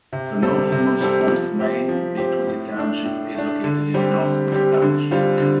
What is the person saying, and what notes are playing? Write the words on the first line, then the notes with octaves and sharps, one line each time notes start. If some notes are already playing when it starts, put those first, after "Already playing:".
The northernmost point of Maine, Big Twenty Township is located in Northwest Aroostook.
C3
G3 C4 A4
C3
G3 C4 A4
F3
C4 G4
F3
C4 G4
A2
A3 D4
A2
A3 D4
D3
G3 C4 G4
D3
G3 C4 G4
D3
G3 C4 F4
D3